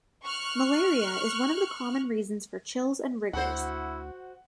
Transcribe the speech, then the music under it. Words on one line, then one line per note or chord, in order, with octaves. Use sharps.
Malaria is one of the common reasons for chills and rigors.
C#6 F6 F#6
D2 E4 F#4 C5 F#5